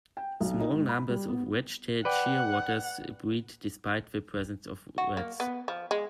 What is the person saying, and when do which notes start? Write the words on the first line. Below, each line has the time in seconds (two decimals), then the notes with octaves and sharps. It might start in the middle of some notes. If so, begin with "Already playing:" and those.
Small numbers of wedge-tailed shearwaters breed despite the presence of rats.
0.17 G5
0.40 B1
0.60 D#4
0.74 G#2
0.89 B5
1.09 G3
1.29 B3
2.05 B4 D5 F#5 G5
4.98 F#4
5.17 A#3
5.40 B3
5.68 F3
5.91 G#3